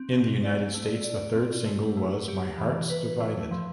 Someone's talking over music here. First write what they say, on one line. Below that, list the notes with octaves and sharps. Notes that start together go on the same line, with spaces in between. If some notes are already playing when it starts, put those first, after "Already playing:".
In the United States, the third single was "My Heart's Divided".
Already playing: C4
C4
D5
A3
D5
C4
A3
A3
G4
E3
B4
A3
F3